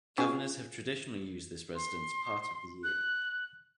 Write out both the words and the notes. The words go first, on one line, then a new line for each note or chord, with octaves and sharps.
Governors have traditionally used this residence part of the year.
C#4 F4 G#4
C6
F#6